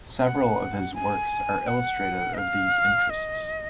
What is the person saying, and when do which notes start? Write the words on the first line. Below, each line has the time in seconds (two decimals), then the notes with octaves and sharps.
Several of his works are illustrative of these interests.
0.23 F#5
0.94 G#5
1.67 F#5
2.34 D#5
2.38 F5
3.10 D#5